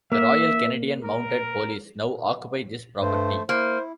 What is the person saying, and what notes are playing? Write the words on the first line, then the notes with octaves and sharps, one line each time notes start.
The Royal Canadian Mounted Police now occupy this property.
A#3 E5
A#4
G2 A3 C5
A#3 E4 C5